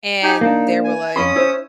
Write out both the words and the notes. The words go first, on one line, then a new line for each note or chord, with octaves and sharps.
and they were, like,
D#4 G4 G#5
A#3 D4 D#4
G#5
F2 C#4 B5 C6 D#6
E4 C5 C#5